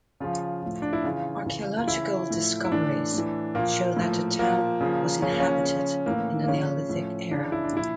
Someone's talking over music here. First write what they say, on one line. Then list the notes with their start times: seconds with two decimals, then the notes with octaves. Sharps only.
Archaeological discoveries show that the town was inhabited in the Neolithic era.
0.20 C#3 F3 F4
0.63 A2 F3
0.82 D4
0.93 E4
1.04 C#3 E3 F4
1.46 C#3 E3
1.77 F4
1.88 C#3 E3 E4
2.30 A2 F3
2.65 E4
2.72 A2 E3 D4
3.14 A2 E3
3.55 A#2 F3 A#3
3.96 A2
4.02 F3
4.39 A#2 F3 A#3
4.81 C#3 F3
5.22 C#3 F3 C#4
5.31 A#3
5.40 C#4
5.64 C#3
5.69 F3
6.06 A2 E3 A#3
6.44 A#3
6.48 C#3 F3 C#4
6.89 A2 F3
7.31 C#3 E3 D4
7.52 E4
7.64 D4
7.73 A#2 F3 E4